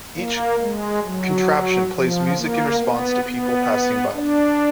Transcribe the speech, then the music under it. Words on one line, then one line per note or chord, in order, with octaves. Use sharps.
Each "contraption" plays music in response to people passing by.
A#3
G#3
F#3
F3
A#3
B3
B3
D4